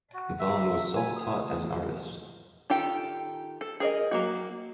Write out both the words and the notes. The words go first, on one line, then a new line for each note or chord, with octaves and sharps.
Vaughan was self-taught as an artist.
F#4
E5
G#5
D#6
D#3 F4 G4 A4 G5
A4
G#4 A#4 D5 D#5
F#3 A#3 F#4